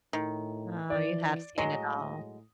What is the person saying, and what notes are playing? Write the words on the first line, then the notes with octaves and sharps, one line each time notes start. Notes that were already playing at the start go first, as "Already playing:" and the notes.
Oh, you have seen it all.
A2 D#3
E3 D5
A2 F#3 G#3 D#5